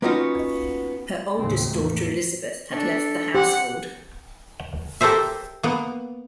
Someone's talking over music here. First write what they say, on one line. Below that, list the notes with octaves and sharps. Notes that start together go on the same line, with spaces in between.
Her oldest daughter, Elisabeth, had left the household.
A#3 B3 C#4 D#4 F4 F#4
D#2 A2 C#3 C4
E2 A2 A3 A#3
D4 A4
G4 C5 F#5
G4 A4 A#4 C5 E5
A#3 B3